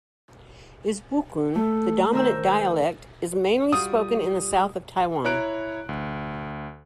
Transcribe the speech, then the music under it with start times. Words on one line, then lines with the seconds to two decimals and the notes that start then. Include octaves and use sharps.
Isbukun, the dominant dialect, is mainly spoken in the south of Taiwan.
1.56 A3 A4
2.13 D#3 A#4 C5 E6
3.72 G3 F4 F#4 D#6
5.25 E4 C#5 A#5 F#6 D7
5.89 D2